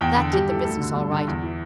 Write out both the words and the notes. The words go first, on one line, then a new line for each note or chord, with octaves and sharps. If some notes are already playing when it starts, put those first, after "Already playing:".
That did the business, all right.
E2 G5
D3
G2 G4
E3 A4
D2 A4
D3
G2
D3
E2
E3